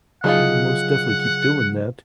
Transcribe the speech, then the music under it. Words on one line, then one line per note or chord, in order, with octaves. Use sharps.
I will most definitely keep doing that.
C#3 F3 F#3 D#4 F4 G#4 F#5